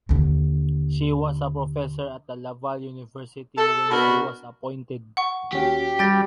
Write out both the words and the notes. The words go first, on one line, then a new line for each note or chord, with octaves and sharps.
She was a professor at Laval University when she was appointed.
D#2 D3
A4
B2 D4 F#4 A#4 B5
F#5 C#6
D#2 C#4 F#4 G4
G3 G5 A6 A#6